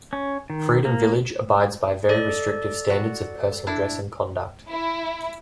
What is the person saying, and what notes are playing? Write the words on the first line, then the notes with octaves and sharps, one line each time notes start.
Freedom Village abides by very restrictive standards of personal dress and conduct.
C#4
D#3
A#3
A4 D5 D#5
F#4
D4 E4
E4